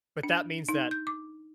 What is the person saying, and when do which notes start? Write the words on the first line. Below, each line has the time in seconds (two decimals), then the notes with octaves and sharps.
but that means that
0.23 D4
0.69 D#4
0.91 G6
1.07 D6